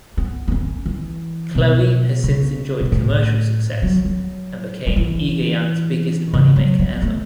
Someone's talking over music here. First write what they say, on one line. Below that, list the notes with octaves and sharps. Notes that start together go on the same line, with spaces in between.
"Chloe" has since enjoyed commercial success and became Egoyan's biggest moneymaker ever.
B3
B3
C#4
E3
B2
C#3
B2
A2
F#3
F#3
F#3
E3
C#3
F#3
B3
A3